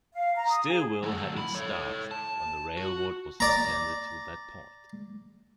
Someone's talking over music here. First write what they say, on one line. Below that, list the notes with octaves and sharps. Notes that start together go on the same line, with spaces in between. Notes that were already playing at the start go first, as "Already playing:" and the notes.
Stilwell had its start when the railroad was extended to that point.
F5
A#5
D#6
G#4
F#3 A3
E4 B5
A4 C#5
A5
F#4
D5 A#5